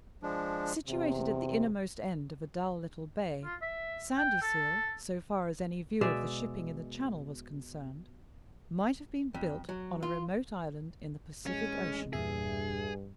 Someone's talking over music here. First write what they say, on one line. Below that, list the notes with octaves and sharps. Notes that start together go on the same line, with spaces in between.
Situated at the innermost end of a dull little bay, Sandyseal--so far as any view of the shipping in the Channel was concerned--might have been built on a remote island in the Pacific Ocean.
F3 G#3 D4
E2 C3
F4
E5
G5
A4
B2 G#3 D5 E5
F2
F#3
F4
A1 G#3 C#4
E2 G2 A#2 G#4 E5